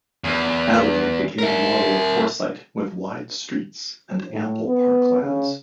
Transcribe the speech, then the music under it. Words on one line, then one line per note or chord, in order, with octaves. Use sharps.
Adelaide became a model of foresight with wide streets and ample parklands.
E2
A#4 E5
A2
B3
C#3